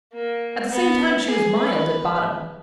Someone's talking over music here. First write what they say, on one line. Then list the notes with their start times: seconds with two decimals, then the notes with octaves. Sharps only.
At the same time she was mild at bottom.
0.14 A#3
0.71 B3
1.28 G#4
1.57 B4